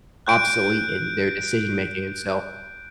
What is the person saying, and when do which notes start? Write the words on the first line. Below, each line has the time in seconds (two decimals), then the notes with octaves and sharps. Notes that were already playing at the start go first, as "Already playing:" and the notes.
obsolete in their decision making and so,
0.27 F#6 G6 D7